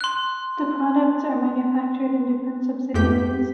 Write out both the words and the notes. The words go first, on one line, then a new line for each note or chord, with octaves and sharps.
The products are manufactured in different subsidiaries.
C6 F#6
F2 G#2 A3 G4 G6 B6